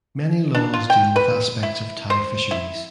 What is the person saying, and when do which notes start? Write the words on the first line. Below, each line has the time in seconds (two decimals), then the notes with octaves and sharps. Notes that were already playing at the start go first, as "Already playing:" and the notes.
Many laws deal with aspects of Thai fisheries.
0.55 D4
0.74 F4
0.90 G5
1.16 B4
1.63 E4
2.10 C5
2.51 E4